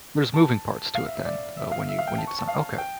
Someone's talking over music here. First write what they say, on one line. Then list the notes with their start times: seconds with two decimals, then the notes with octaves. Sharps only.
there's moving parts to it then, uh, when you when you design okay.
0.34 A5
0.95 F5
1.05 E5
1.16 E5
1.25 D5
1.57 E5
1.72 F5
1.89 E5
1.99 F5
2.07 G5
2.18 A5
2.27 C#6
2.39 A5
2.48 F5
2.78 G5